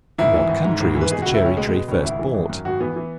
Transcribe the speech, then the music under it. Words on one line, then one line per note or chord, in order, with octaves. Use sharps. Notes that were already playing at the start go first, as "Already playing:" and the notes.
From what country was the Cherry Tree first brought?
G#1 E4
E3
G#1
G#2
G#1
E3
B4
B2 G#4
C#2 F#4
E4
C#2 C#4
B2 G#3
B2 G#3
C#2 C#4
G#1 E4
E3
G#1
F#2
G#1 F#4
E3 B3
E3